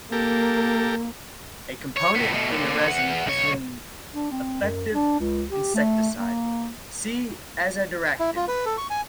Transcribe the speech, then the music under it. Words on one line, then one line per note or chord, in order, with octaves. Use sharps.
A component in the resin is an effective insecticide; see azadirachtin.
A#3 G4 A4 A#4
C#5
A2 B3
B2 A3
D#2 D3
E2 F#5
B1 C#5
D4
C4
F#2
D4
C#2
G4
A3
A#3
E4
F4
B4
A4
C#6
G#5